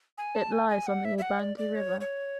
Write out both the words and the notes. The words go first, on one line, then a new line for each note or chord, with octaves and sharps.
It lies on the Ubangi River.
G#5
A5
G#5
G#5
F#5
E5
E5
F#5
D5
D5
C#5
C#5